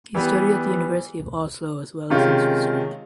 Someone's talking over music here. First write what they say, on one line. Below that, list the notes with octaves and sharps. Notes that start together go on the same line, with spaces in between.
He studied at the University of Oslo as well as in Switzerland.
E3 G3 B3
C3 D#3 G#3 C#4 F4